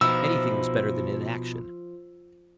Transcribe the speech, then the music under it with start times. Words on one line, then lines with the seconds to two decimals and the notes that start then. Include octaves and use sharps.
Anything was better than inaction.
0.01 B2 F3 D#4 E4 E6